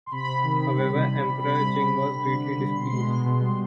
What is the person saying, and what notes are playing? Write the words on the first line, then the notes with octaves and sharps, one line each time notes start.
However, Emperor Jing was greatly displeased.
C6
C3 B5
C3
D#3
C3
G3
C3
G3
C3
C3 B5
G3
G3
C3
D3
D3
D3
G3
B2 C6
G#3
B2
B2
G3